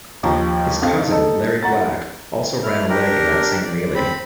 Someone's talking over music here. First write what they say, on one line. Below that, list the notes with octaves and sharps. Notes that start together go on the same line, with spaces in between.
His cousin, Larry Black, also ran a leg in that same relay.
D#2 F3 A#5
F2 F5
D#4 A4
F#5 A#5 A6
E4 F6
D4 G4 A#4
D5
C4 B5